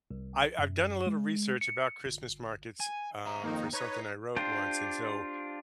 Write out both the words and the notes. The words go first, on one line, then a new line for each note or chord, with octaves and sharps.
I I've done a little research about Christmas markets, um, for something I wrote once, and so
C2
F#2
G#3
C#7
G1
G#5
E5 A#5
F2 D#3 A#3 D#4
D#4 B4 C#5 D#5
D4 F4 G4 C5